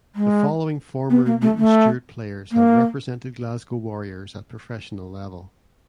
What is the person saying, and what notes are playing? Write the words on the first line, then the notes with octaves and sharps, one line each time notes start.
The following former Newton Stewart players have represented Glasgow Warriors at professional level.
G#3
B3
A#3
A3
A3
A#3